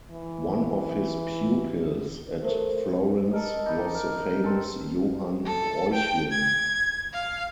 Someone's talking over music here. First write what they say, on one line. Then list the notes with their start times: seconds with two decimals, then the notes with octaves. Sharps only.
One of his pupils at Florence was the famous Johann Reuchlin.
0.11 E3
2.43 A3 A4 A#4 C5
3.31 A4 A#4 D#5
3.66 D#4 D5 B5
3.95 A#4
4.44 C4 A4
5.45 A4
5.94 G5
6.31 G#6
7.13 F5